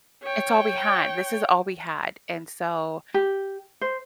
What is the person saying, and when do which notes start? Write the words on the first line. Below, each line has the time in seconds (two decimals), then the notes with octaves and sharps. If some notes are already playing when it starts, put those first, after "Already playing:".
it's all we had, this is all we had. And so
0.23 C#5 G5
3.14 G4
3.81 C5